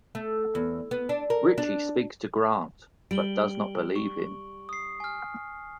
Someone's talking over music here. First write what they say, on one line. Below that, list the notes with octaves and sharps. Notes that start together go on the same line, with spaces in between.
Ritchie speaks to Grant, but does not believe him.
A3
E2
B3
D4
A#4
D4
G3 D7 F#7 G7
C#6
D#6 C7
G#5 F6